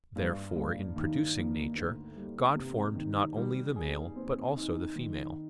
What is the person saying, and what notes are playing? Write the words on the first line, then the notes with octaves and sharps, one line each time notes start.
Therefore, in producing nature, God formed not only the male but also the female.
G2
G2
D#3
A#3
D2
G3
C3
D#3
G3
G#4
C4
D#4
D#3